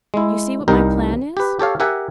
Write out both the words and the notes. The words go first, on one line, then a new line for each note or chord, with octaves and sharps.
You see what my plan is?
G#3 E4
C2 G3 D#4 A#4 G5
G4 B4
G4 A4 C#5 F5
G4 A#4 E5 F#5 G#5